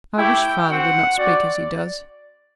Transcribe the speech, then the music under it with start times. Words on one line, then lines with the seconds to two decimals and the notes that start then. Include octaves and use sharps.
'I wish father would not speak as he does.
0.17 A3 E4 G4 G5
0.68 C4 F#4 F#5
1.18 C4 F#4 D5